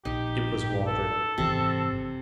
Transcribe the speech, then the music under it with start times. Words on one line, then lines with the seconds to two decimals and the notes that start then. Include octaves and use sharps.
It was Waldron.
0.05 A#1 D#4 G4
0.87 A4
1.38 G#1 F#2 C3 E3